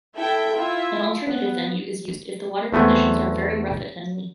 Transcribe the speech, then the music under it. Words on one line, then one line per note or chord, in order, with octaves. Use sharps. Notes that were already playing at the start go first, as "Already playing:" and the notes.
An alternative venue is used if the water conditions are very rough at Henley.
E4 A4 E5 G5
E4 F4 E5
B3
E2 A3 B3 C4 G#5